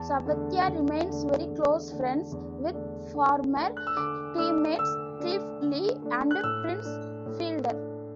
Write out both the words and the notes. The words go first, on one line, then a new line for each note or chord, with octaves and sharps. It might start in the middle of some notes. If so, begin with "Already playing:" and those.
Sabathia remains very close friends with former teammates Cliff Lee and Prince Fielder.
Already playing: E2 A5
D3 A3 D4
E2
D3 A3 D4
E2
D3 A3 D4
E2
D3 A3 D4
D3
A3 D4
F#6
E6
D3 D6
A3 D4 E6
D3 E6
A3 D4
D3
A3 D4
F#6
A2 E6
A3 D4
A2
A3 D4